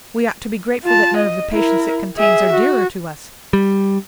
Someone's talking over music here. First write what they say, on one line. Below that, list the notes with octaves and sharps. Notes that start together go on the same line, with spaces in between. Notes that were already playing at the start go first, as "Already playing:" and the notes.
"We ought to be grateful that none of the patients it contains are dearer to us."
F4 A5
D#5
E4 A#4
G#4 E5
F#4
G3